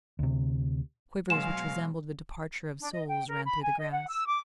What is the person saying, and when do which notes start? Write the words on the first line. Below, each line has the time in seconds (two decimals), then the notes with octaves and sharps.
Quivers which resembled the departure of souls ran through the grass.
0.19 D2 C3
1.30 B2 F#3 G#3 F5 G#5 C6 E7
2.80 D4
2.92 D#5
3.08 G5
3.28 A#4
3.44 B5
3.62 G#5
3.78 D#5
3.91 F#5
4.08 E6
4.26 D6